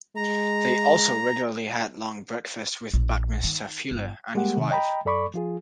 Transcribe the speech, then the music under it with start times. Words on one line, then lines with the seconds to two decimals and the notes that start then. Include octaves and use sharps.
They also regularly had long breakfasts with Buckminster Fuller and his wife.
0.16 G#3 A#5
2.93 A#1
3.44 D#3
3.91 G1
4.35 G3 G#3 A#3 G4 F#5
4.57 C3 D#3
4.71 D#5 G5 A#5 B5
5.05 F#2 A4 D5 B5 C#6 D6
5.34 F3 F4 G#4